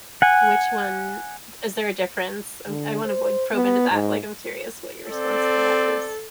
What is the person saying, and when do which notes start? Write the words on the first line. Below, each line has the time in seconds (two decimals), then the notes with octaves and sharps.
Which one is there a difference? I’m g I wanna, like, probe into that; like, I'm curious what your response to that is.
0.22 F#5 G#5
2.68 D3
3.05 C5
3.54 B3
3.91 G#2
5.10 C4 A4 D5